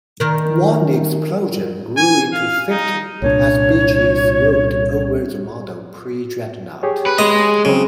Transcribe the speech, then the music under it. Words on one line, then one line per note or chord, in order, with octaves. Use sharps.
One explosion grew into fifty as Beachey swooped over the model predreadnought.
D#3 A#4
G#5
F5
D#4
C2 A#2 D4 C#5
G4 G#4 C#5
B4
G#3 D#5
C#3 F#3 C4